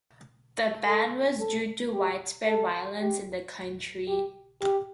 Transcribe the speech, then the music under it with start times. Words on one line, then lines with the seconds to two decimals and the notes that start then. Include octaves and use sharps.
The ban was due to widespread violence in the country.
0.86 A4
1.40 A4
1.93 G4
2.47 A4
3.01 G4
4.08 G4
4.61 G4